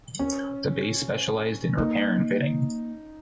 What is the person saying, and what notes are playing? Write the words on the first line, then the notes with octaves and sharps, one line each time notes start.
The base specialised in repair and fitting.
C#4
A#3 D#4